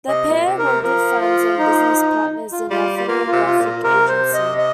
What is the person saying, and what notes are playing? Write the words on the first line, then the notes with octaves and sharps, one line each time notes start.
The pair were good friends and business partners in a photographic agency.
C3 D#5
A#2
C3
A#4
C3
F3 A#4
F4
D#4
F4
G3 F4
G3
A#3 F4
F4
C3
F4
A#2
F4
C3 A#4
C5
D#5
D#5